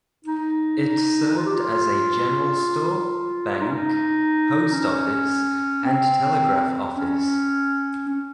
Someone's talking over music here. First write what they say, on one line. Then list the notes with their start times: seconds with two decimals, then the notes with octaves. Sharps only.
It served as a general store, bank, post office, and telegraph office.
0.25 D#4
1.37 F4
1.45 G4
1.55 F4
3.61 D#4
3.68 C#4
3.75 D#4
4.72 C#4
5.84 C4
6.96 C#4
8.08 C#4